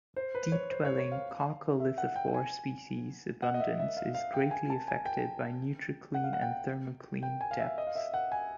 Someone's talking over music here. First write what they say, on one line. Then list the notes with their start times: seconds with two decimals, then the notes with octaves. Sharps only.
Deep-dwelling coccolithophore species abundance is greatly affected by nutricline and thermocline depths.
0.16 C5
0.35 B4
0.52 C#5
0.70 C5
0.85 C#5
0.98 C#5
1.12 F5
1.80 E5
1.98 F#5
2.16 G5
2.27 G5
2.34 G#5
3.42 F#5
3.54 D#5
3.60 E5
3.79 E5
3.97 F5
4.14 F5
4.34 G5
4.51 G#5
4.70 A5
4.88 G#5
5.05 G5
6.14 F#5
6.24 F5
6.33 F#5
6.42 G5
7.23 G5
7.41 G#5
7.51 F5
7.59 E5
7.78 D#5
7.87 F5
7.95 E5
8.14 F#5
8.32 G#5